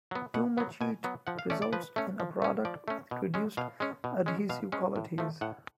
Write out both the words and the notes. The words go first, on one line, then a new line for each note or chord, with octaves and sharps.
Too much heat results in a product with reduced adhesive qualities.
F#3 B3
B2 F#5
F#3 B3
B2 G#5
F#3 B3
F3 F#5
F5
A3 C#4 D5
D5
F3 B4
A3 C#4
F3
A3 C#4
F3 D5
A3 C#4
B2
G#3 C#4
B2 F5
G#3 C#4
B2
G#3 C#4
B2 F5
G#3 C#4
A2
F3 A3
A2 F#5